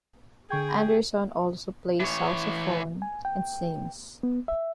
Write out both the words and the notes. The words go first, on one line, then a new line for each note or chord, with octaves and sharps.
Anderson also plays sousaphone and sings.
D3 G#4 G5 C#6 G#6
E3 C#5
G#5
G5
B3
E5